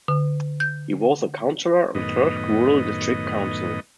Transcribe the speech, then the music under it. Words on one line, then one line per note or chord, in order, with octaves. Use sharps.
He was a councillor on Thirsk Rural District Council.
D3
G6
F#2 A2 D#3 B3 D#5